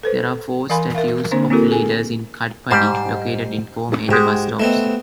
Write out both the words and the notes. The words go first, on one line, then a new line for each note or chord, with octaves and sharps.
There are four statues of leaders in Katpadi, located in four major bus stops.
A4 B4 C5
E3 A#4 F5 G#5 B5 C6
A#4 E5 F5
D3 A#3 C4 D4 C5
A#3 C4 E4 F#4 A4 A#4
G#4 A4 G#5
G#2 G3 G4 C5
G#2 G#3 F#4 G4
A3 B3 C4 D#5